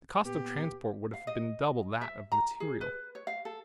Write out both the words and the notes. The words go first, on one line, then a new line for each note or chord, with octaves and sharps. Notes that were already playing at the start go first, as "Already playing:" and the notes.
The cost of transport would have been double that of material.
A#2 B3 G4
F5
D#5
E5
A#5
G#4
B4
C#5
F5
A4